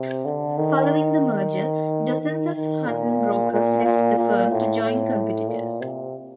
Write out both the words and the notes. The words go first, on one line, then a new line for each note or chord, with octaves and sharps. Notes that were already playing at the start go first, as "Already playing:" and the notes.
Following the merger, dozens of Hutton brokers left the firm to join competitors.
Already playing: C3
D3
D#3
D#3
D#3
A#2
A#2
A#2
A#2
A2
A2
A#2
C3